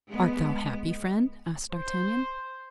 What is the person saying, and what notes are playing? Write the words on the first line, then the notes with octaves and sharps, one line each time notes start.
"Art thou happy, friend?" asked D'Artagnan.
G#3 B3
C5